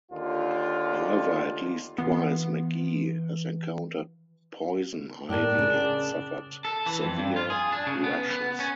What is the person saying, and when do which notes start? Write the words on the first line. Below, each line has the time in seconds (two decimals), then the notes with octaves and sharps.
However, at least twice McGee has encountered poison ivy and suffered severe rashes.
0.11 D#2 D3 F4
1.98 E3 B3 F4
5.29 A2 D4 A#4
5.59 C#3
6.65 A4
6.86 E3
7.04 F2
7.19 G2
7.36 F4
7.50 G#4
7.72 D4
7.87 C#3
8.04 B3
8.31 B3
8.60 C#4